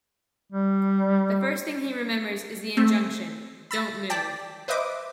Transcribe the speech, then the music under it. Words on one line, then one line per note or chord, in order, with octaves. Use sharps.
The first thing he remembers is the injunction: "Don't move".
G3
A3 C4 E5
B5 E6 A6 A#6
D5 G5 A5 B6
B4 C5 D#5 E5 D6 D#6